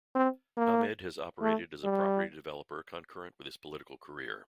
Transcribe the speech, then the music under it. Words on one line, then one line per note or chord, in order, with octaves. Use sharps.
Ahmed has operated as a property developer concurrent with his political career.
C4
A#3
A3
G3